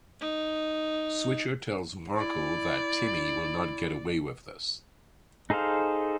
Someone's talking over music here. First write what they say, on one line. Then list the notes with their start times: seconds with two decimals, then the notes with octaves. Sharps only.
Switcher tells Marco that Timmy will not get away with this.
0.21 D#4
2.16 E4 D5
5.50 D#4 G#4 A4 C5 F5